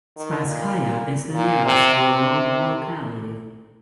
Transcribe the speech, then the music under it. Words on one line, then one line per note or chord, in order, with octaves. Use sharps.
Spasskaya is the nearest rural locality.
D#3
A#2
A#2
C3
C3